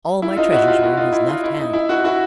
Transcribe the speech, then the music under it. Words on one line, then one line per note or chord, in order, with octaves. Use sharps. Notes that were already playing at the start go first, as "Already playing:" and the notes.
All my treasures were in his left hand.
E4
D#4 F4
E4 F#4
F4 G4
E4 F#4
D#4 F4
E4
D#4 F4
E4
D#4
E4
E4 F#4
E4 F#4